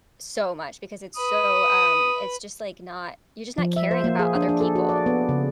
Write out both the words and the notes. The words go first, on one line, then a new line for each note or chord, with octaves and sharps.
so much because it's so, um it's just like not you're just not caring about other people.
B4 D#6
F3
E5
C5
A#3
G#4
D4
D4
A4
F#4
D5
B3
C#3